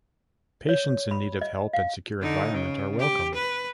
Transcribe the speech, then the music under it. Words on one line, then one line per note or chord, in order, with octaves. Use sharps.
Patients in need of help and secure environment are welcomed.
C#5
B5
D#5
F5
D3 D#4
C#3
G4
B4